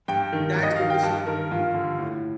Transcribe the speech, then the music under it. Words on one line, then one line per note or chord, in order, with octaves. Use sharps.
That's good to see.
G2 G5
D#3
G2
D#5
D#3 F5
G5
G2 A5
D#3 A#4
G2 F4
D3
A2